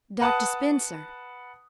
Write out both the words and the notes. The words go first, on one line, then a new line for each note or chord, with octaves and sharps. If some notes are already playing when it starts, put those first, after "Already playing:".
"Dr. Spencer."
B4 F#5 A5 D#6